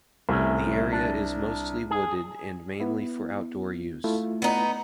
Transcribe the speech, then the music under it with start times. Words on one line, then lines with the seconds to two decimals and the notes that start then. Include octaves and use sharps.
The area is mostly wooded and mainly for outdoor use.
0.29 C2 A3 C#4
0.93 D4
1.91 G#4
2.80 B3 E4
4.04 A3 E4 F4
4.42 B3 D#4